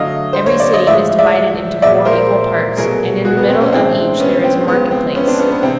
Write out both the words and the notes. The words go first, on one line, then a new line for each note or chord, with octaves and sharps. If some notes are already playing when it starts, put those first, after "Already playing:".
Every city is divided into four equal parts, and in the middle of each there is a market-place.
Already playing: D3 F#3 A3 D#5 F5
C5
C#5
D5
D#5
A2 F3 G#3 D5 E5
D5 E5
A#2 F3 G#3 D5 E5
A#4 C5
B2 F#3 A3 G#4 A#4
F#4 G#4
B3
C4
C#4
A2 E3 G#3 C4 D4
B3 C#4
C4
C#3 F3 G#3 B3
C4
B3 C#4
C4 D4
B3 C#4
B3
C3 E3 C4